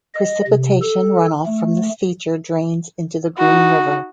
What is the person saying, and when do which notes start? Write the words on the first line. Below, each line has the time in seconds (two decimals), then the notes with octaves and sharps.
Precipitation runoff from this feature drains into the Green River.
0.14 D#5
0.47 C3
0.82 A4
1.46 A3
3.38 D#4 F#4